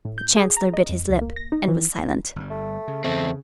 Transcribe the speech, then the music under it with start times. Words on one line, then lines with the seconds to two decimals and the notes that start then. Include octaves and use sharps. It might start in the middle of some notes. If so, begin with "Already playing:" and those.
The Chancellor bit his lip, and was silent.
0.05 A2
0.18 G6
0.36 G#4
0.57 A#5
0.74 D#5
0.89 F2
1.09 C#2
1.21 A#3
1.36 A#6
1.52 D#4
1.68 E3
2.36 G1 G3
2.50 A3
2.88 C#3
3.04 E2 A3 C4